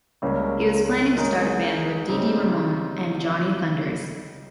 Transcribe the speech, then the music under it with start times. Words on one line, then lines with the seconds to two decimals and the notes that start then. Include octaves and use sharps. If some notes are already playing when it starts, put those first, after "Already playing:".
He was planning to start a band with Dee Dee Ramone and Johnny Thunders.
0.22 C#2 C#3 G3 A#3 C#4
1.15 D#3 G#3 D#4 A#4 C#5
2.08 C#3 G3 C4 D#4 G4